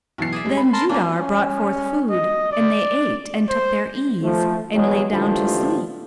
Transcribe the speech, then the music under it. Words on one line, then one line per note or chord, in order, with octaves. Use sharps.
Then Judar brought forth food and they ate and took their ease and lay down to sleep.
B1 E3 C7
G#4 D5 E5
G3 G#3
B5
A#4 A5 C6
A#3 C#4 D4
C#4
D#5
D5
C5
F3 A3
E2 F#3 G#3
A1 G#2 D3 F3 A3 G4